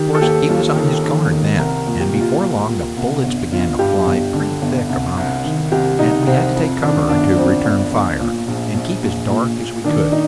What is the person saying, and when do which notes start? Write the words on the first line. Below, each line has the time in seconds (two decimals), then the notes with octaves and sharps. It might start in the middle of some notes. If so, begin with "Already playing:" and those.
Of course he was on his guard then, and before long the bullets began to fly pretty thick among us, and we had to take cover to return fire and keep as dark as we could.
Already playing: D#3 G4
0.15 A4
0.21 D#2 G4
0.49 D#2 F4
0.76 D#3 A4
1.04 D#3
1.31 D#3
1.59 C2 A#4
1.87 A#2
2.00 G4
2.14 A#2
2.21 F4
2.42 A#2
2.70 A#2
2.97 C2
3.24 G1
3.52 G1 F4
3.79 G2 G4
4.07 G1
4.34 D3
4.62 G1
4.89 C2
5.17 C2
5.44 D#3
5.72 C2 G4
5.99 C2 D#4
6.27 C2 C4
6.55 F2
6.83 D#3 D4
7.09 G1 D4
7.37 F2 C4
7.65 G1
7.92 G1
8.20 A#2
8.48 A#1
8.74 A#1
9.03 A#1
9.29 A#2
9.58 A#2
9.84 D#3 D4
10.12 D#4